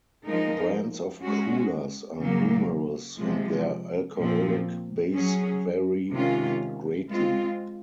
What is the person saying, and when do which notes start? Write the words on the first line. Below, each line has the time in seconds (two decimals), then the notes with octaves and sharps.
Brands of coolers are numerous and their alcoholic base vary greatly.
0.25 F3 G#3 D#4 A#4
1.22 G#3 C#4 F#4
2.20 C#3 F#3 A#3
3.18 C3 F3 G#3
4.16 A#2 F3 C4
5.13 F#3 C#4 G#4
6.11 C3 D#3 G#3 C#4 F4
7.09 G#3 C4 F4